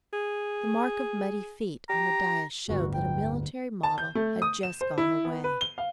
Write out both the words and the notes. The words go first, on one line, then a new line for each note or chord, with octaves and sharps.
The mark of muddy feet on the dais showed that a military model had just gone away.
G#4
G4 A#5
D1 G1 F#4
G5
A5
G6
A3
D#6
E7
C5
E4
B3
B4
G7
F5